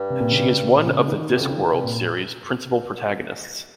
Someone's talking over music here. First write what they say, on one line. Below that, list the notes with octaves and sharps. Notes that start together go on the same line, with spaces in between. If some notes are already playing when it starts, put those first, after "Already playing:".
She is one of the "Discworld" series' principal protagonists.
Already playing: G2
C3
A#2
C#3
A#2
C#3
C#3
D#3
D#3
C3
G2
F2 C#3
D#3
D#3
G2 C3
A#2
A#2